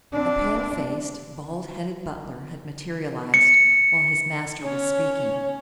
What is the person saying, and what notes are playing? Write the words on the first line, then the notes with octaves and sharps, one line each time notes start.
A pale-faced, bald-headed butler had materialized while his master was speaking.
C4 D4
C#7
C#4 C#5